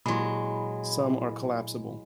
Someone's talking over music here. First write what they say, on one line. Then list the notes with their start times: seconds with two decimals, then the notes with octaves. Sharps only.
Some are collapsible.
0.06 A#2 F#3 G#3 E4 B5